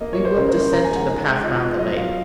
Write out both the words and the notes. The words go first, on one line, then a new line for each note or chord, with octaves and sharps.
"We will descend to the path round the lake."
A#3 D#5
C#5
A#3
C5
C#3 A#4
C5
A#3
C5
C#3 A#5
G#5
G#3
F#5
D#4
G#3
F4 D#5
F4
F#3 D#5
F#3 F5